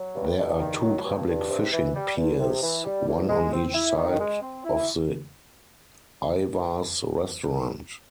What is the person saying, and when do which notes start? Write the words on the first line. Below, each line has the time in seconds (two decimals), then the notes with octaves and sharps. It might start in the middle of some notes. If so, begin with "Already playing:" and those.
There are two public fishing piers, one on each side of the Ivar's restaurant.
Already playing: F#3
0.15 G2
0.37 G2
0.59 D#3
0.82 F#3
1.05 G2
1.27 G2
1.50 C3
1.72 E3
1.94 G3
2.17 E2
2.40 C3
2.62 E3
2.85 G3
3.07 E2
3.29 G#3
3.53 C4
3.74 E4
3.97 D#3
4.19 G#3
4.41 C4
4.65 E4